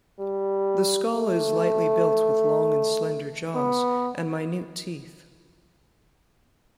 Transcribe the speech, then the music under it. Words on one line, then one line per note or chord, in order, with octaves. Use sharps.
The skull is lightly built with long and slender jaws and minute teeth.
G3
A3
B3